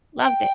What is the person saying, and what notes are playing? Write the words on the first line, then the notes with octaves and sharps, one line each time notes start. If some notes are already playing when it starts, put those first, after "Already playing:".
Loved it.
G5